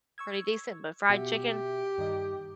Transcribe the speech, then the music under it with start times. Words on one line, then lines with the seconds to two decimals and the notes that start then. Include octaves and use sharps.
pretty decent. But fried chicken,
0.18 C#6 E6 G#6
1.10 B2 F#4 G4 E5
1.98 G2 D#3 D#5